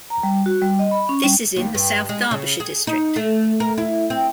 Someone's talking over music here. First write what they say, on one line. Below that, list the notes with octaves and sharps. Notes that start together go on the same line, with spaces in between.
This is in the South Derbyshire district.
A#5
G3
F#4
G3
D#5
B5
C#4
G3
D#2
G2
G#3
C#3
G#4
D#4
A3
A#4
E4
C4